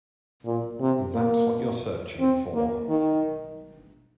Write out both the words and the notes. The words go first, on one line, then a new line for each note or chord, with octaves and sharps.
That's what you're searching for.
A#2
C3
A#3
C4
A#3
D#3